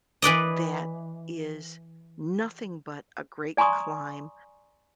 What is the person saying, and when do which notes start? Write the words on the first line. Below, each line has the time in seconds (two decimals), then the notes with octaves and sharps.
that is nothing but a great climb,
0.22 E3 B4 D5 D#5
3.57 D5 G#5 A#5 C6 C#6 D#6